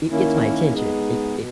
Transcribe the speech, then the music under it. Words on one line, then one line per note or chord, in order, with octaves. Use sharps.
it gets my attention. It it
D#3 A#3 C#4 E4
G#3 B3 D#4 G#4
B2